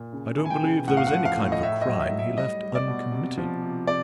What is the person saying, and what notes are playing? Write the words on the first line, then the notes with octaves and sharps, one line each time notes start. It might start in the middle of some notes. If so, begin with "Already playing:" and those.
I don't believe there was any kind of a crime he left uncommitted.
Already playing: A#2
C#3
E3
G#5
G5
C#3
A2 F#5
F5
F#5
F3
F5
A2
D#5
A2 E5
D#5
F#3
E5
A2
E5
G3 D#5
G3
D5
B2
C3
F3
C3
C3 D5